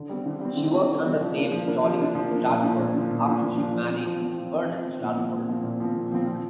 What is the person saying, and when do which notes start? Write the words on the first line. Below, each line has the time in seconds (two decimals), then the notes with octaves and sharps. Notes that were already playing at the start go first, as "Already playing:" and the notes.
She worked under the name "Dollie Radford" after she married Ernest Radford.
Already playing: D3
0.09 G3 C4
0.26 D3
0.41 G3 C4
0.57 D3
0.73 G3 C4
0.88 D3
1.04 G3 C4
1.21 F3
1.36 A#3 D4
1.52 F3
1.68 A#3 D4
1.84 F3
1.99 A#3 D4
2.15 F3
2.31 A#3 D4
2.48 A#2
2.63 F3 D4
2.78 A#2
2.94 F3 D4
3.11 A#2
3.26 F3 D4
3.42 A#2
3.58 F3 D4
3.74 F3
3.90 C4
4.06 F3
4.21 C4
4.37 F3
4.53 C4
4.69 F3
4.85 C4
5.00 A#2
5.17 F3 C4
5.33 A#2
5.48 F3 C4
5.64 A#2
5.80 F3 C4
5.96 A#2
6.12 F3 C4
6.28 F3